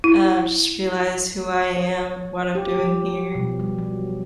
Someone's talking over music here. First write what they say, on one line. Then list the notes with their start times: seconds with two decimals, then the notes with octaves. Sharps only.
uh, just realize who I am and what I'm doing here.
0.04 E4
1.77 C#5
2.55 G4
2.79 F3
3.35 B2
3.59 G3
3.78 F#3